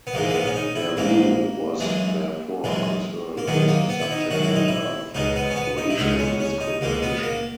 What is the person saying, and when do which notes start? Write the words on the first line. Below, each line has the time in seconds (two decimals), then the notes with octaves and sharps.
Their view was therefore concerned with the subject-matter of racial discrimination.
0.07 B3
0.14 A#1 G#2 E3 G#3 A#3
0.29 A#3
0.34 B3
0.46 C#4
0.56 D#4
0.75 E4
0.97 A#1 G#2 E3 G#3 A#3
1.80 F#2 E3 G#3
2.64 F#2 E3 G#3
3.37 A#3
3.47 F#2 D#3 G#3 B3
3.68 A#3
3.89 B3
4.01 E4
4.11 D#4
4.31 F#2 D#3 G#3 F#4
4.43 E4
4.55 D#4
4.68 E4
5.14 C#2 B2 G#3 D#4
5.36 B3
5.51 C#4
5.56 B3
5.78 D#4
5.90 E4
5.98 C#2 B2 G#3 D#4
6.19 C#4
6.40 C#4
6.61 D#4
6.81 C#2 B2 G#3 A#3
7.03 B3
7.23 A#3